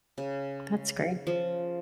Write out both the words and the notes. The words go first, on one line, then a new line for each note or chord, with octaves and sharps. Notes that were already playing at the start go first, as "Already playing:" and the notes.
That's great.
C#3
F3